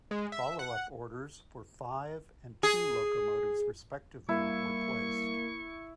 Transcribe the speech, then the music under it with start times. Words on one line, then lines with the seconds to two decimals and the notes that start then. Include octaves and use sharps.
Follow-up orders for five and two locomotives respectively were placed.
0.11 G#3
0.32 E5
0.59 F#5
2.63 G#4
4.29 G3 A#3 E4 C#6